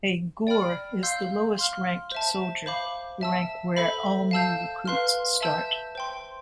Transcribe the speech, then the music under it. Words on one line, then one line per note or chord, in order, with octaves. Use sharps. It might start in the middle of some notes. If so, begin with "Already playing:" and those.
A gorr is the lowest-ranked soldier, the rank where all new recruits start.
D5 G5 B5 F6
F5 C6 E6 G6
F5 C6 F6
C5 E5 A5
C5 F5 B5 D6
E5 A5 E6
A4 C5 E5 B5
F5 A5 E6 G6
B4 F5 C6 F6
E5 A5 E6 G6
C5 G5 C6